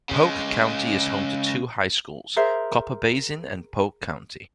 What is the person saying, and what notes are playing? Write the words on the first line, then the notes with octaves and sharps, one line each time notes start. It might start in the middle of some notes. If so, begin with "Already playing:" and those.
Polk County is home to two high schools, Copper Basin and Polk County.
C#3 G#3
G#4 A#4 C5 E5